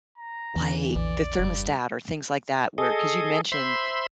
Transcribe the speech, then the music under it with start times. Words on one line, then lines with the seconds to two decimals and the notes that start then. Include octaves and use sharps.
like the thermostat or things like that where 'Cause you'd mentioned,
0.18 A#5
0.56 E2 D3 E3
0.95 A#1 D5
1.39 F#1 G2
2.78 G#4 A4 D#5
3.52 C5 E5 B5 C6